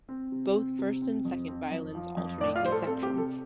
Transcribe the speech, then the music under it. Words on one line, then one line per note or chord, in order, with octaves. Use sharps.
Both first and second violins alternate these sections.
C4
C3
C4
C3
C4
F2
C4
F2
F3
F2
A2 D4 D5
F4 F5
G3 C5
A4
C4 A4
G4
C3
A4